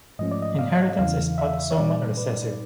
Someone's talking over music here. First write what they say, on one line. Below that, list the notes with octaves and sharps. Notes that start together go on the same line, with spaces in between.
Inheritance is autosomal recessive.
G#2 F3 A3 C#4 D#5
D5
D#5
F5
E2 C#3 E3 F5
E5
C#5
A#2 G3 C4 D#4 D5
B4